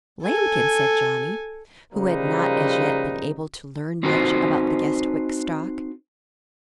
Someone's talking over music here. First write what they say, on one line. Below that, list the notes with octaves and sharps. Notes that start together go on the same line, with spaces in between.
"Lambkin," said Johnny, who had not as yet been able to learn much about the Guestwick stock.
A4 G#5
C#3 F3 G3 A#3 D#4 B4
C4 D#4 F#4 A4 B4 C5